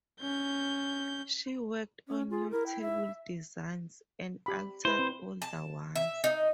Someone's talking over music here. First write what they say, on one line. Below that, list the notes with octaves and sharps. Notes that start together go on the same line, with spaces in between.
She worked on new table designs and altered older ones.
C#4 G6
C#4
F4 G#4
E4 A#4
G5
E5
G4 B5
E4 B4 C5
C4
A5
E5
D#4